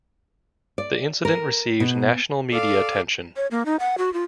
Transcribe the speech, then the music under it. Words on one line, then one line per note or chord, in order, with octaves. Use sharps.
The incident received national media attention.
D5
A#4
B2
A4 D5 F5
C#5
A#3
D#4
F#5
F#4
F4